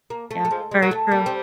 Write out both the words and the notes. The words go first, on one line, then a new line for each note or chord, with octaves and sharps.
Yeah, very true.
A#3
A3
A3
F3 G#3
G#3
F#3 A#3
A3
G3 A#3
C4